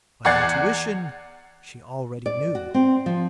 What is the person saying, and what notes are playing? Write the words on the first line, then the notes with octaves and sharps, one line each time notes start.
By intuition, she already knew.
E2 D5 F#5 G#6 A6 C7
D5
F#4
C4
F3